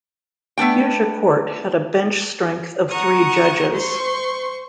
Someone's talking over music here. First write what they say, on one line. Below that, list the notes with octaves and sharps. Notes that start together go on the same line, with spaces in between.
Huzur Court had a bench strength of three judges.
A3 B3 D4 G5
F#5 A#5 C#6 D#6
C5 C6 C#6